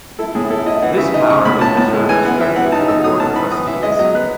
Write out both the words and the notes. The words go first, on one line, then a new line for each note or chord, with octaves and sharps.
This power is reserved strictly for the Board of Trustees.
E4 A4
A2 G#4
E4 A4
E4 D#5
E3 F#5
C#3 E5
D#4 D#5
C#3 C#6
A2 B5
A2 A5
A2 A5
G#3
E3 G#5
B3 F#5
E3 E5
E3 F#5
D#4 A5
D#4 E6
F#3 D#6
B3 A5
E3 B5
E3 D#6
E3 E5
G#3 D#5
F#3 D#5
B3 B4